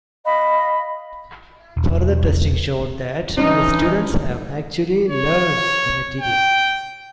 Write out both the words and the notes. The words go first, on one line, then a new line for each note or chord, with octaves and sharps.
Further testing showed that the students had actually learned the material.
D#5 F5 B5
E1
G2 E3 C#4 D#4
C#5
G5